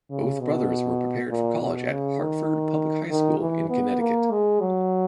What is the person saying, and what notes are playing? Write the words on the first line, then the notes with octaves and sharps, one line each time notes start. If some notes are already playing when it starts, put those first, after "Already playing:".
Both brothers were prepared for college at Hartford Public High School in Connecticut.
C#3
B2
A#2
B2
C#3
D#3
D#3
E3
B3
A#3
G#3
F#3